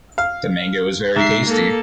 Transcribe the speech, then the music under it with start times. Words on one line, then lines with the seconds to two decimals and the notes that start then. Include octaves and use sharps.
The mango was very tasty.
0.18 F5
1.16 G#2 E5 C7
1.46 A#3 A4